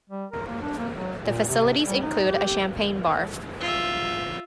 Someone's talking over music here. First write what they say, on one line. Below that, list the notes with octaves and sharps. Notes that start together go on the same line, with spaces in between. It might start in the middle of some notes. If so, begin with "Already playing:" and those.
The facilities include a champagne bar.
G3
A#4
A#3
D4
A#3
F#3
A#2
C3
G3
D#4
G4
F4 E5